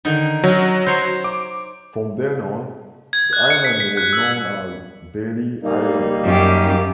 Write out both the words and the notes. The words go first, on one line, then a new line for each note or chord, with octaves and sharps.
From then on, the island was known as Bailey Island.
D3 D#3 D#4
F#3 C#4
C5 C#5
D6
G#6
F#6
C#7
B6
B6
F#6
E6
G3 A#3 D#4
F#2 G4